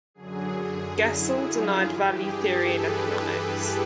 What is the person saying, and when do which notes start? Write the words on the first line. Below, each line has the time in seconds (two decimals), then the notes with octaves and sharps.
Gesell denied value theory in economics.
0.14 F#2 D3 F#3 G#4
0.99 E4
1.42 F4
1.85 G2 E3 G4
2.13 G#4
2.42 A4
2.70 B4